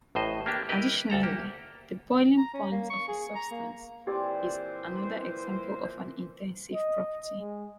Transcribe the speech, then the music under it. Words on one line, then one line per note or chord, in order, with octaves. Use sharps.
Additionally, the boiling point of a substance is another example of an intensive property.
A1 A2 C5 D#5
A#3 D4 G4
E4 G4 A#4 B4 D#5
D2 A4 A#5
A#3 G4
A#5
C#4
A#3
C#6
G#4
A#5
A#3
A#2 E3 C4 G4 C5 D5 G#5
D#5
G#3